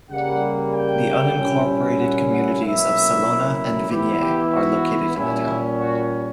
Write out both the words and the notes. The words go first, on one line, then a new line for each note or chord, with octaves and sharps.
The unincorporated communities of Salona, and Vignes are located in the town.
C#3 G3 A#3 F#5
G5
A#2 G3 C#4 E4
F#5
F#5
B2 F#3 A#3 C#4 E4 E5
E3 B3 E4 G4
G4
F#4
A#2 G3 C#4 E4
F#4